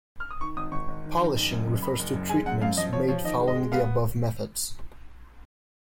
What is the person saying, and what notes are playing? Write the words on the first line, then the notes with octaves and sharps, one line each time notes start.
Polishing refers to treatments made following the above methods.
F6
D#6
D#3 C#6
G#1 D#6
G#1 C#6
G#1
D#3
D#3
F#1
F#2
F#1
F#1 B5
F#1
F#2
G#3 G#5
F#2 F#5
F#2 F5
F3 D#5
F3 C#5
F3 C#5
D#3 D#5
G#3
D#5
G#3
B3 F5